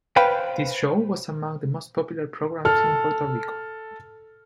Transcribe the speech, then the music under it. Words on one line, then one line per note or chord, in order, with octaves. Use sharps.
This show was among the most popular programs in Puerto Rico.
B4 C5 F5 G5 B5
A4 F6